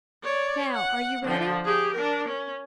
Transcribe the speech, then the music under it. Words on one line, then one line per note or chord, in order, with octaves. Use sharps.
Now are you ready?
C#5 D5
F#5
D3 F3
G4 G#4
D4 A#4
C#4